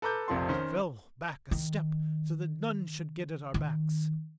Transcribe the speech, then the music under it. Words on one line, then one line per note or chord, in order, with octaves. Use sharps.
We fell back a step so that none should get at our backs.
A4 B4 A#5 D6 G6
F1 A#1 C3 F3 A5 C6
D#3 C#4 C5
D#3
D#3